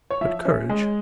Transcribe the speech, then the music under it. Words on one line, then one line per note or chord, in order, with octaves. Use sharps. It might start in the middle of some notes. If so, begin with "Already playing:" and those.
But courage!
C#5
F3 E5
C#4
G#3